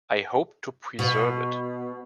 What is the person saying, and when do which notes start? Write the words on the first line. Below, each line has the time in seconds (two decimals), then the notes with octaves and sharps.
I hope to preserve it.
0.99 B2